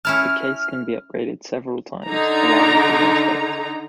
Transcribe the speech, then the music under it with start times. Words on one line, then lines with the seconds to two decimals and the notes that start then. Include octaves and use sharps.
The case can be upgraded several times, allowing for more space.
0.05 C#4 E4 A5 F6
2.07 D3 D#4 A#5